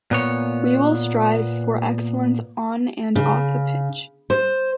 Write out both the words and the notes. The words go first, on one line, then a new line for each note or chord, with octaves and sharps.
We will strive for excellence on and off the pitch.
A#2 B3 C#5
C#3
C5